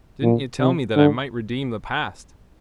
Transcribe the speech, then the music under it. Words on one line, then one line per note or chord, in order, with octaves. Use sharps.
Didn't ye tell me that I might redeem the past?
A#2
C3
D3